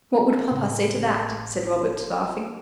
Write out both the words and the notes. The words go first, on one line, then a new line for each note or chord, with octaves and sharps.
"What would papa say to that?" said Robert, laughing.
A2 C#3
A1
F1